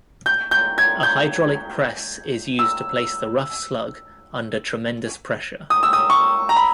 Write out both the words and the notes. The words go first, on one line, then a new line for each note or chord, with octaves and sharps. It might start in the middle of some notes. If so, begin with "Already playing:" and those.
A hydraulic press is used to place the rough slug under tremendous pressure.
G6
G6
G#6
G6
E6
D#6
E6
D#6
C#6
A#5
B5